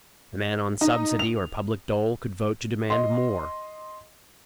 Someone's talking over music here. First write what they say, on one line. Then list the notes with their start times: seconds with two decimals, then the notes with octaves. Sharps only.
The man on subsidy or public dole could vote to demand more.
0.81 D#4
1.19 F7
2.90 D#5 C6